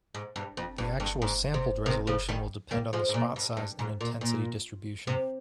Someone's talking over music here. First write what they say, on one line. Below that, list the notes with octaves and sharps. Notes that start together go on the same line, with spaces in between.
The actual sampled resolution will depend on the spot size and intensity distribution.
G#2
G2
F2
G2
G2
G#2
C3
C3 D#3
C#3 F3
D#3 G3
G3 A#3
F3 G#3
G#2
A#2
G2
G2
G#2
A#2
A#2
C3